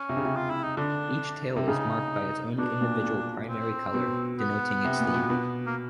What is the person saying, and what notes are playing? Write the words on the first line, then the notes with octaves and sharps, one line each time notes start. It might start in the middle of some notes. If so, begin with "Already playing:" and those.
Each tale is marked by its own individual primary colour, denoting its theme.
Already playing: C#4
C3
C#3
C3
F4
E4
D#4
D3 D4
C3
C#3 D#4
B2 D4
A#2
A#2
C4
B2
B3
C3
A#2
B2
B2
A#3